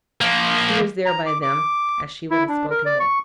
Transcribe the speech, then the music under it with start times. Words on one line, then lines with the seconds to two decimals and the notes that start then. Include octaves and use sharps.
He was there by them as she would have spoken more.
0.21 F3 A#3
1.06 A#5
1.26 D6
1.42 D6
2.31 E4
2.49 D4
2.70 A#4
2.86 D5
3.00 C#6